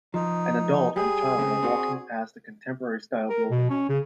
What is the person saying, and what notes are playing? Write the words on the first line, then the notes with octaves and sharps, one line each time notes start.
An adult and child are walking past a contemporarystyle building.
F3 D#4
G3 G4 G#4
C#3 A3 C4
C4 D4 F#4
A#4
B2
C#4
C#3